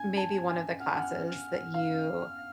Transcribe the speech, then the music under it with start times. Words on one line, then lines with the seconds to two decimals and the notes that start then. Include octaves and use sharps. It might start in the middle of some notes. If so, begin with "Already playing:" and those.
maybe one of the classes that you
Already playing: G#5 G#6
0.17 A5
0.48 G#5
0.80 F#5 F6
0.88 G#5
0.96 F#5
1.27 F6
1.74 F5